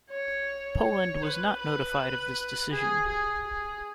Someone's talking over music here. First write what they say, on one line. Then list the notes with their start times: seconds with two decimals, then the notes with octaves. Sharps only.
Poland was not notified of this decision.
0.11 C#5
0.85 C#5
1.22 B4
1.60 B4
2.72 G#4
3.08 G#4
3.47 G#4